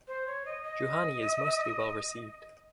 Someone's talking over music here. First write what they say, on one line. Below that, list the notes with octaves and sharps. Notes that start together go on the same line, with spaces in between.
Juhani is mostly well received.
C5
C#5
D#5
D#5